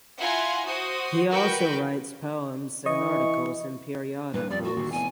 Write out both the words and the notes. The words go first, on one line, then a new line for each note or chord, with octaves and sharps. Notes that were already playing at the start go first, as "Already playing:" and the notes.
He also writes poems and articles in periodicals.
E4 F4 F#5 G#5 A#5 C6
F#4 C5 D#6
F#4 A#4 B4 G5
E3 D#5 C#6
G2 A#2 E3 B4
F2 G3 D5
F#4
D#2 A#2 D3
F1 E2 G#5